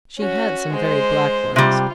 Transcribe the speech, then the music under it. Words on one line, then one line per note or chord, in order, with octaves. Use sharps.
She had some very black ones.
C#4 F#4
G#3 C5
C3 G3 F4